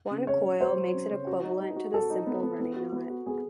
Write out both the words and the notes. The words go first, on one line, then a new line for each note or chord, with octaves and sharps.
One coil makes it equivalent to the simple running knot.
C#3
C#4 C#5
F#3
F#3 C5
F#3
C#4
C#3
F#4
D#4
D#4
F#4
F#4 A4
D#4
B3
B3
B3
F#4
B3
F#4
B3 G#4